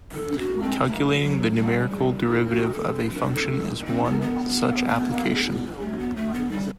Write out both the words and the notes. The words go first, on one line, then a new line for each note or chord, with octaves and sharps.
Calculating the numerical derivative of a function is one such application.
A4
F#4
C4
A3
F#3
G3
E4
F#4
A4
A4
C4
B3
B3
A3
B3
A3
B3
G3